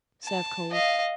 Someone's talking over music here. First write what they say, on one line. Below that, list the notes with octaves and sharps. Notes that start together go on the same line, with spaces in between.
Serve cold.
A5
D#5 F5